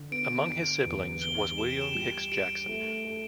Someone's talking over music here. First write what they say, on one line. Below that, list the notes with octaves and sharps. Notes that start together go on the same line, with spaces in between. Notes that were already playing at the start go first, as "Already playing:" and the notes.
Among his siblings was William Hicks Jackson.
Already playing: D3
B3 D7
D3
E2
B3 G7
G4 E7
D7
E7
G3 E7
G4 D7
A3
A4